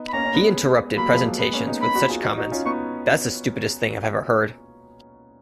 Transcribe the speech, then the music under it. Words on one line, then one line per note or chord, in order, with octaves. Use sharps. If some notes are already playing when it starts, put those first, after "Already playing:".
He interrupted presentations with such comments That's the stupidest thing I've ever heard!
Already playing: B3 D#4
B5
A#3 C#4 A#5
C#4
G#3 B3
F#3 A#3 B5
F3 G#3
F#3 A#3
G#3 B3
A#3 C#4
B3 D#4
B5
D#4 F#4
F4 G#4
D#4 F#4
D#4 F#4
C#4 F4
B3 D#4 C#6